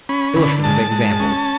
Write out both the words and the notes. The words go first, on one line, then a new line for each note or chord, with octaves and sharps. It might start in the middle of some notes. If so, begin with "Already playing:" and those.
Illustrative examples.
C#4 B5
D3 B5
G#3 A5
G#3
C#4